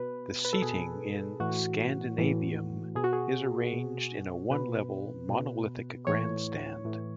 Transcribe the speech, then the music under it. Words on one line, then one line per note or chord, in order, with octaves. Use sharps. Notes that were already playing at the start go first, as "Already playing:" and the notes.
The seating in Scandinavium is arranged in a one-level monolithic grandstand.
Already playing: B2 B4
B4
A4
B2 G#4
A2 E3 F#4
A2 E3
B2 G#4
F#4
G#4
B2
B2 B4
B2
A2 E3 C#5
A2 E3